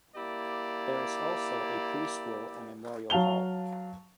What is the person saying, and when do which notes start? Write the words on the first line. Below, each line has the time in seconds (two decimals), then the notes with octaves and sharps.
There is also a Pre-school at Memorial Hall.
0.16 A#3 E4 G4 D5
3.10 F#3 F5 A5 F7 G7